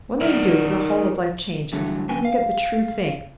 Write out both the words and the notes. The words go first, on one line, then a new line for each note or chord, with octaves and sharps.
When they do, the whole of life changes, and you get the true thing.
D#4 A#4 D5
G2 D3 E3 F#3 A3
F#2 D3 C#4 B4 G5 G#5
F5